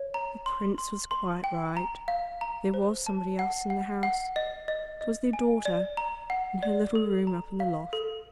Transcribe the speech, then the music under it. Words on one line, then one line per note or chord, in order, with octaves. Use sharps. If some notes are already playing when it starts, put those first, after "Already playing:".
The Prince was quite right, there was somebody else in the house--it was their daughter, in her little room up in the loft.
Already playing: C#5
A#5
C6
C6
C6
G5
A#5
F5
A#5
C5
A5
F#5
F#5
F#5
D#5
D#5
D#5
G#5
D5
A#5
F#5
D5
A4
A#5
F5
A4